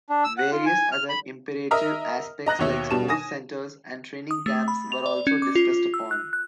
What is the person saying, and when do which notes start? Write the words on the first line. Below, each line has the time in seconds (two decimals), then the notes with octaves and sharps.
Various other imperative aspects like sports centres and training camps were also discussed upon.
0.10 D4
0.24 E6
0.38 F#5
0.52 F4
0.66 G#5
0.92 F6
1.09 B5
1.71 A#4 D#5 E5 A#5 D#6 F6
2.46 D#5 A#5 F#6 A#6
2.59 D#2 B2 C#5 E5
2.91 B2 G3 A5 E7
3.08 G#5 D#6 A#6
4.31 D#6
4.46 A3
4.68 B5
4.92 F7
5.06 D5
5.27 C#4
5.42 D6
5.55 F4
5.94 E6
6.11 F#6
6.33 F#6